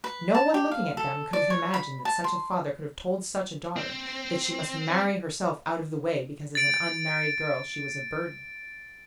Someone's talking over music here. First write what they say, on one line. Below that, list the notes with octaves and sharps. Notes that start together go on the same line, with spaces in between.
No one looking at them could have imagined that such a father could have told such a daughter that she must marry herself out of the way because as an unmarried girl she was a burden.
B4
A5
G4
F5
A4
D5
C#5
B5
A5
C6
C4
A6 D7